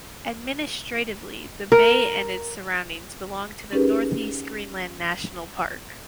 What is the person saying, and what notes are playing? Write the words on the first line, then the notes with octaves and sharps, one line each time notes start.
Administratively the bay and its surroundings belong to the Northeast Greenland National Park.
A#4
C#4 D#4 G4 G#4 A#4 B4